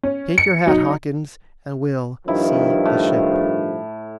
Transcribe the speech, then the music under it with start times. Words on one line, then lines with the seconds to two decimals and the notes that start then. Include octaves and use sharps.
"Take your hat, Hawkins, and we'll see the ship."
0.03 C#4
0.38 C#7
0.67 F#3 D#4
2.28 G2 D#3 F3 E4
2.85 A2